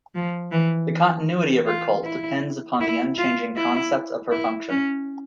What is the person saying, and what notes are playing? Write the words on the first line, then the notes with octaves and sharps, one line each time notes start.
The continuity of her cult depends upon the unchanging concept of her function.
F3
E3
F4
E4
E4
F4
E4
E4
C#4